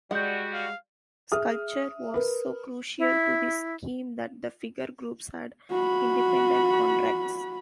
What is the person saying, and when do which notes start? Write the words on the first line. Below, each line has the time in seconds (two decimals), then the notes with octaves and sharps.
Sculpture was so crucial to the scheme that the figure groups had independent contracts.
0.11 G3 G#3 F#4 D5 F#5 G6
0.53 F5
1.32 G#4 E5 D#6 F6
2.14 A#4 B4
2.99 E4
5.71 F#4 B5